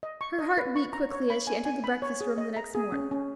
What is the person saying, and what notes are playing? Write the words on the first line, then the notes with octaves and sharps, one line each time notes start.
Her heart beat quickly as she entered the breakfast-room the next morning.
D#5
C#6
D#5
B4
C#6
A#5
C#5
B5
G#5
G#5
B5
C#5
G#4
D#5
A#5
G#4
C#4
C#4